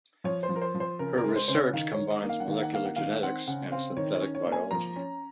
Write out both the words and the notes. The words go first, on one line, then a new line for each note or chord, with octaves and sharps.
Her research combines molecular genetics and synthetic biology.
F3 C#5
C5
F3
A#4
C5
F3
C5
C#3 A#4
A#4
G#3
C5
C#3 C5
C#5
D#3 F5
C#5
D#3
D#5
A#3
F5
F#5
D#3 F5
F#5
A#3 F5
F#5
D#3 F5
C4 F#5
C#3 F#5
C4 F5
D#3 C#5
C#5
C#4
C#5
A#3
G#5
F3 A#5
C#4